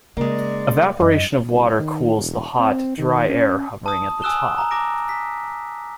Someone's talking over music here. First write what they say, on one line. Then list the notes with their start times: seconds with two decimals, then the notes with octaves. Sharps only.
Evaporation of water cools the hot, dry air hovering at the top.
0.17 C#3 G#3 A#3 D5
1.00 F#2 D#5
1.49 C2
1.79 D#3
2.17 E1
2.59 C4
2.98 D#3
3.29 C#4
3.86 A5 D#6
4.22 G#5 D#6 E6 F#6 E7 G7
4.58 A#5
4.71 A#5 D6 A#6 D7
5.09 B6